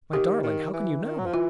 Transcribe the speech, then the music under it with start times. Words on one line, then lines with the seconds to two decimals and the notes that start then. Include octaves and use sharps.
"My darling, how can you know?"
0.13 D#3 G4
0.43 D#3
0.73 E3
1.03 D#3
1.18 F#3
1.25 F3
1.33 E3 F4